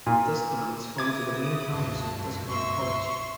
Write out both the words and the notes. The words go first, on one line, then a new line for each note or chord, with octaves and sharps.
Tusculum is home to the main campus of Tusculum College.
A#2
C#3 E4 D6 D#6 G#6
C#2 G2 B2 A5
F#2
E5 C6 C#6